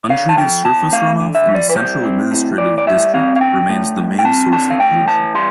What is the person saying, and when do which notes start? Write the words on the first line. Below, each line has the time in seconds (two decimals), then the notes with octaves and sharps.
Untreated surface runoff in the Central Administrative District remains the main source of pollution.
0.09 D3 F5
0.29 A5
0.37 F3 G5
0.65 E2 A5
0.92 A3 F5
1.20 D3
1.35 E5
1.49 F3
1.55 D5
1.69 B4
1.75 G3 C5
2.03 C4
2.31 A2
2.58 A2 D5
2.78 D5
2.87 G3 E5
3.14 C4 F5
3.36 F5
3.41 D3 G5
3.69 A3
3.96 G2
4.19 G5
4.24 C4 A5
4.52 D3 A5
4.70 F5
4.80 A3 G5
5.07 E3 A5
5.35 G3 C6